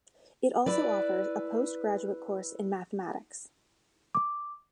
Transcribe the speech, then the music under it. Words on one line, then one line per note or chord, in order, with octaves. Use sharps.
It also offers a post-graduate course in Mathematics.
E4 B4 D5
D6